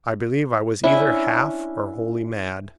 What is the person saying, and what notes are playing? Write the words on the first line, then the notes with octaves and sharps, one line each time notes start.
I believe I was either half or wholly mad.
C#4 D4 E4